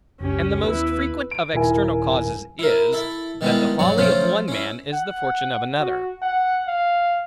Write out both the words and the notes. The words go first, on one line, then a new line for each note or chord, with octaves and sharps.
And the most frequent of external causes is, that the folly of one man, is the fortune of another.
F#1 C#2 C#4 G4
D#2 B3 C#4 E4 B4
D7
D#1 E4 A#4 G#5
E4 A#4
E4 A4 E5
D#3 G3 G#3 B3 E4 F4
G2 F#3 C#5 D5 C#6
F3 F#3 A3 C#4 F4 C5
C#4 E4
F#5
F#4
F#5
F5